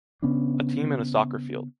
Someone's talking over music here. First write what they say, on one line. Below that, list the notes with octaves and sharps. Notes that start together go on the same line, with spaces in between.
A team in a soccer field.
C#3 B3 C#4 D4